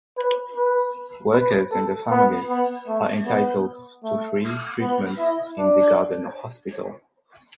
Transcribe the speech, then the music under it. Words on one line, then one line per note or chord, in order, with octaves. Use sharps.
Workers and their families are entitled to free treatment in the garden hospital.
B4
B4
B4
A4
B3
B3
A3
B3
A3
B3
E4
D4